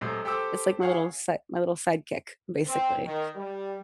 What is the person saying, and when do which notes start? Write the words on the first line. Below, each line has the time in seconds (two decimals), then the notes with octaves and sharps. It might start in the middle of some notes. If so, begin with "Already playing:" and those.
It's like my little set my little sidekick basically.
0.01 A2 C3 F#3 G#3 A3
0.25 G4 A4 C5 G5 D6 E6
0.81 E4 G#4 C#5 F5 F#5
2.68 C4
3.05 D#3
3.36 G3